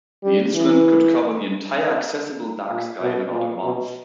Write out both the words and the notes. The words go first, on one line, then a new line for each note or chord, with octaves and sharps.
The instrument could cover the entire accessible dark sky in about a month.
G3
E3
A#2
B2
A#2
B2